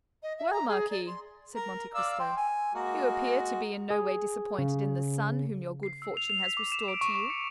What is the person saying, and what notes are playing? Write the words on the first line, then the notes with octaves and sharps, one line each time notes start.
"Well, marquis," said Monte Cristo, "you appear to be in no way disappointed in the son whom your good fortune has restored to you."
D#5
E5
A#5
G#4
D5
C6
A#4
D5 F5 E6
G5 C6
G#5
G#3 A#3 F#4
G#4
C#3
C7
E6
F7
F7
B6
D6
E7
D7
C#6
C#6
C#7